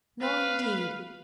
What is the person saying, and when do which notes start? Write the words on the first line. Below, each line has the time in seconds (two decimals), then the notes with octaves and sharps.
No, indeed!
0.22 B4 F5